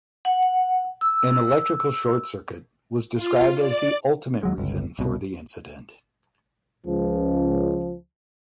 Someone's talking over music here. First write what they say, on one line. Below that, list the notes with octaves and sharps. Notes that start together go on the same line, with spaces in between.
An electrical short circuit was described as the ultimate reason for the incident.
F#5
E6
F4
D5
D#2 F#3 G#3
G1 C#2
C2 B2
C#2 F3